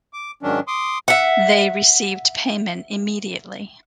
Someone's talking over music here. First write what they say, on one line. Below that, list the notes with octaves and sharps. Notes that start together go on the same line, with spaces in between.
They received payment immediately.
D6
G#2 D#3 F#3 C#4 D4
C6 D6 D#6
E5 F#5